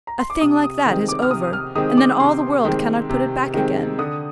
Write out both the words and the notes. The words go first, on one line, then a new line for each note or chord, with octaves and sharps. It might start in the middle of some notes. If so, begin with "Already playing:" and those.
A thing like that is over, and then all the world cannot put it back again.
A#5
C6
D6
C3 D#6
D#6
D#3 G#3 C4
D6
F6
C3 D#6
F6
D#3 G#3 C4 D#6
D6
C3 C6
D#3 G#3 C4
C3
D#3 G#3 C4
D3 D#6